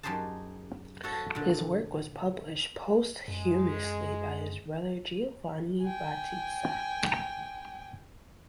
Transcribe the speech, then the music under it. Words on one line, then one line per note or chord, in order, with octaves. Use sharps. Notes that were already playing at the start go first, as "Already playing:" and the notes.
His work was published posthumously by his brother Giovanni Battista.
F#2 D#4 G4 G#4 C5 A5
F#4 A4
A#2 D3
F#2 G#3
G5 G#5